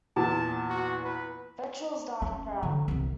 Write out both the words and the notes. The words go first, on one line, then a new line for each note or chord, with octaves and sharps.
Ventrals dark brown.
E2 A#2 A5
F#4
B4
C#4
D3 E3
C2 E3